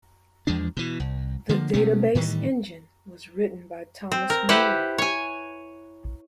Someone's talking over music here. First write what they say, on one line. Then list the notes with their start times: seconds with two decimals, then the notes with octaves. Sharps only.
The database engine was written by Thomas Mueller.
0.47 E2 F3 G#3 D4
0.77 B2 E3
1.00 C2
1.49 D3 F3 A#3
1.73 B2 A3 B3 C#4
2.15 A2 D#3 E3 G3
4.12 C4
4.30 A#4
4.49 E4 G4 B4 C5 F#5
4.98 C#5 G#5